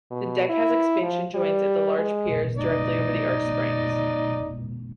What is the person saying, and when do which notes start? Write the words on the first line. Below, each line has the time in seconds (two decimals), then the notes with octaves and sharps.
The deck has expansion joints at the large piers directly over the arch springs.
0.11 B2
0.49 E4
1.02 F3
1.35 G3
1.98 G#3
2.57 D#4 D5